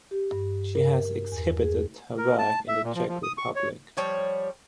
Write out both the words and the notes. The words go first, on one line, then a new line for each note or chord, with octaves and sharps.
She has exhibited her work in the Czech Republic.
G4
G2
A#4
E2
G#4
A#4
A5
E5
A#2
F3
F3
D#6
C#6
C#5
F3 G3 C#5